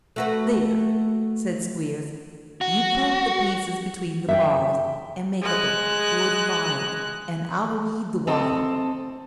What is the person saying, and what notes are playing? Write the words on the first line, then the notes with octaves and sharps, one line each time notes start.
'There!' said Squeers; 'you poke the pieces between the bars, and make up a good fire, and I'll read the while.
A3 F#4 B4
F#4
E5 F#5 G5
G#3 F#6
C4 A4 D#5